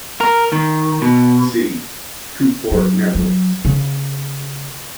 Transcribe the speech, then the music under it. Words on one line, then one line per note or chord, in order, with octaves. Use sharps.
"See" Two-port networks.
A#4
D#3
B2
F#3
F#3
C#3